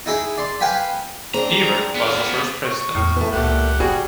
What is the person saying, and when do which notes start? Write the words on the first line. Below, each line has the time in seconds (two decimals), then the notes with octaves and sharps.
Biever was the first president.
0.06 D#4 E4 G#4
0.38 D5 C6
0.60 B4 F5 G5 G#5 B5
1.34 C4 D4 G#4 A#5
1.95 B3 F5
2.65 C#6
2.95 E2 A2 F6
3.16 E3 A3
3.33 C#2 A#2 A3 G4 F#5
3.80 G1 G3 F#4 G#4 G#5